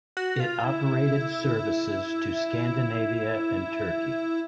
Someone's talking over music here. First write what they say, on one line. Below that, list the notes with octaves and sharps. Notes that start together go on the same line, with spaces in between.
It operated services to Scandinavia and Turkey.
F#4
F4
E4